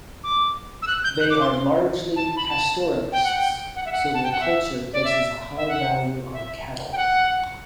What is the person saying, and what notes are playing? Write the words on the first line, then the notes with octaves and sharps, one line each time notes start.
They are largely pastoralists, so their culture places a high value on cattle.
D6
E6
F#6
G6
F#6
D6
C6
A5
B5
A5
G5
F#5
G5
F#5
E5
F#5
A5
G5
F#5
E5
D5
E5
E5
F#5
E5
G5
F#5